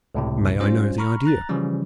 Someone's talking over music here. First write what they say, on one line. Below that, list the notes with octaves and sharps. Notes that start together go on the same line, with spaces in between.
"May I know the idea?"
C#2 A2 C3
G3 C#4 F4 C5
A#5 B5 C#6 F6
A#5 F#6 A6
C#3 E3 F3 G3 C#4